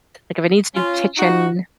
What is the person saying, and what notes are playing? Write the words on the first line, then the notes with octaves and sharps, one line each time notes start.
Like, if it needs new kitchen
C#4 F4
D#4 F#4